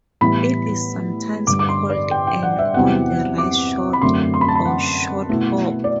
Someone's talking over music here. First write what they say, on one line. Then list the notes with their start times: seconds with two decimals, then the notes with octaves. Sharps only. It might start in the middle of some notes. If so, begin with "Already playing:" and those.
It is sometimes called an "on the rise shot", or "short hop".
0.21 A2 E3 G3 B3 E4 B5
1.47 G2 D3 G3 D6
1.59 D6
1.69 C6
1.89 D5
2.11 G5
2.27 G5
2.43 F#5
2.59 E5
2.74 E2 C3 F#3 C4 E4 F#5
3.38 D6
3.93 B5
4.02 F#2 D3 A3 C4 C6
4.34 C6
4.41 B5
4.48 A5
4.56 B5
4.65 F#5
5.29 B2 A3 E4
5.84 D5